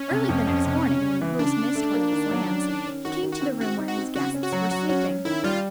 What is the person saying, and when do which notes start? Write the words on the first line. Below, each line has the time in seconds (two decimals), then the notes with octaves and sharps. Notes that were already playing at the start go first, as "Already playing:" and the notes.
Early the next morning when the host missed one of his lambs he came to the room where his guests were sleeping.
Already playing: C#4
0.11 C3
0.29 F2
0.47 F2
0.65 C3
0.84 C#3
1.02 C#3
1.21 E3
1.39 C#3 D4
1.58 C#3
1.75 A3
1.94 A#3
2.12 D#3
2.31 F#3
2.50 C#4
2.68 D#3
2.87 C#4
3.05 D#3 F#4
3.23 D#3
3.32 F#4
3.42 C4
3.60 C4 F#4
3.79 D#4
3.88 F#4
3.97 C4
4.15 C#3 F#4
4.34 C#4
4.43 F#4
4.52 F#3
4.71 F#3 F#4
4.89 C#4 F#4
5.07 C#4
5.25 D#3 E4
5.44 G3 F4